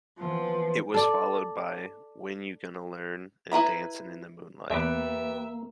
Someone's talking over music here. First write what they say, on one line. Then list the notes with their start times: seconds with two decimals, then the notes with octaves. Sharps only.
It was followed by "When You Gonna Learn" and "Dancin' in the Moonlight".
0.19 E3 F3 A#3 B3
0.94 A4 D5
3.52 E4 B4 A#5 B5
4.70 E2 A#3 G4 B4 E5